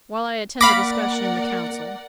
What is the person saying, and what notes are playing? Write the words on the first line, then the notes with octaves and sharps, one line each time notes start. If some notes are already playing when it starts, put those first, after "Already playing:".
While I attend the discussion in the Council....
A#3 A#4 D5 F5 F#5 B5 D6 A#6